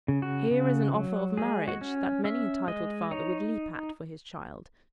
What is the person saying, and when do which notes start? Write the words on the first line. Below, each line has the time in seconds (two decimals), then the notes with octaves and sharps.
Here is an offer of marriage, that many a titled father would leap at, for his child.
0.08 C#3
0.22 F#4
0.51 C#3
0.94 F#3
1.37 G#3 G#4
1.68 F#4
1.81 C#4
2.24 C#4 E5
2.68 G#3 D#5
3.11 D#4 C#5